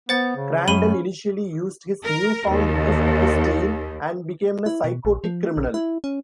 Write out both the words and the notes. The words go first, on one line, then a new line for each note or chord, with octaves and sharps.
Crandell initially used his newfound gift to steal, and became a psychotic criminal.
B3 C5 F#5 A6
C#3
F#2 C#4 B5 D#7 G7
A#4
D#2
E4
B2
A#1
F3
A#1
E4
C#4